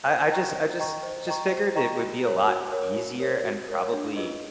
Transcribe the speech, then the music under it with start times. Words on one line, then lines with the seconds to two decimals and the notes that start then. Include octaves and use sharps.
I I just I just just figured it would be a lot easier and, probably,
0.06 C5
0.31 D#5 G5 A#5 C#6
0.55 C5
0.79 D#5 G5 A#5 C#6
1.03 C5
1.27 D#5 G5 A#5 C#6
1.51 C5
1.75 D#5 G5 A#5 C#6
1.99 F#4
2.24 A#4 C#5
2.48 F#4
2.72 A#4 C#5
2.96 F#4
3.20 A#4 C#5
3.44 F#4
3.68 A#4 C#5
3.93 D4
4.16 F4 G#4 B4 D#5